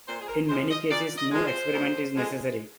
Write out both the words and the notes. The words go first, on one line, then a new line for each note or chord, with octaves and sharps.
In many cases no experiment is necessary.
A#2 C5
G#4
A#4
F3 G#3 C5
D#5
A#2 D5
D#5
F3 G#3
C5
D2
D3 F3 G#3